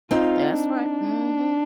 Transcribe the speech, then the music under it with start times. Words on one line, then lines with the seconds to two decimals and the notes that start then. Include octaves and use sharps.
That's right. Mhm.
0.11 C4 D#4 F4
0.57 D4